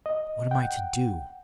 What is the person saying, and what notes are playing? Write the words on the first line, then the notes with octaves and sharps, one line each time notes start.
"What am I to do?"
D#5
F#5 G5